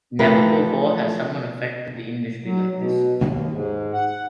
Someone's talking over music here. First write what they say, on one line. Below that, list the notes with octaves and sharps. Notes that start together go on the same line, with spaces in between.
Never before has someone affected the industry like this.
E3 F3 A3 G4 A#4 B4
F#3
B2
D#2
G#2
F#5